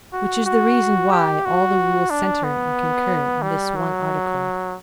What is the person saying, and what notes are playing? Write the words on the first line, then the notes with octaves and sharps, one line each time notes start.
Which is the reason why all the rules centre and concur in this one article.
F#4
F#4
G4
F#4
D4
B3
G3
F#3